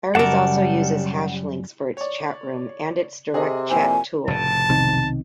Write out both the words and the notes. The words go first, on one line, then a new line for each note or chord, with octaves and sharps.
Ares also uses hashlinks for its chatrooms and its direct chat tool.
F#2 C#3 G3 A#4 F#5 A5 D6
C#5 D5
C3 G#4 A4 C5 D#5
F2 A#2 E4 G4 C5 G#5
F1 A2 C#3 A5
B1 C3 D#3